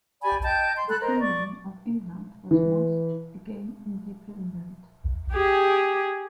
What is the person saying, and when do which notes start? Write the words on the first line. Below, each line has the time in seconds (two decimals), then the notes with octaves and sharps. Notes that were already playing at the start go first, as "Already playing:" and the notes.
The Kingdom of England was once again independent.
0.22 G4 D5 G#5 B5
0.44 D#5 G5 A5 G6
0.76 C6
0.88 A4 B5 F#6
1.01 A#4 C5 D#5
1.21 D5 C#6
2.51 E3
5.33 G4 G#4